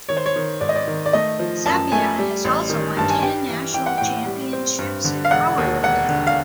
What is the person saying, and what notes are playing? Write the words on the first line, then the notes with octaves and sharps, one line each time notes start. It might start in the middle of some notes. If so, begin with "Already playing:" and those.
Zappia has also won ten National Championships in powerlifting.
D#3 C#5
C5
C#5
D#3
G#2 D5
D#5
D5
D#3
D5
A3 D#5
F3
F#2 A5
A3 G#5
G3
A1
D#3
G2 A5
G#5
G3 G5
E3
E3 G5
F#5
A2 G5
G3
C4
G2
D3
F5
E1 F#5
D#2
E1 F#5
D3
F5